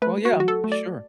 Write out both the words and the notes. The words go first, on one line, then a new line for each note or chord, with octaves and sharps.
Well, yeah, sure.
A3 B4
F#4
F#3
F#4
A4
A3
D5